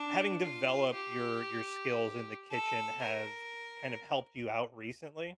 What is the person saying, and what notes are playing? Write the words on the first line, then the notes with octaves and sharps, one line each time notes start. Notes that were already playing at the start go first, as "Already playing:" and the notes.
having developed your your skills in the kitchen have kind of helped you out recently?
Already playing: D4
F4
G4
A4
A#4